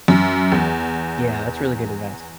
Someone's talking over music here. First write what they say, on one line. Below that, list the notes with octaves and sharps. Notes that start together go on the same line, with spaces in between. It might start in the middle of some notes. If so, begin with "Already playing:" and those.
Yeah, that's really good advice.
F#2
E2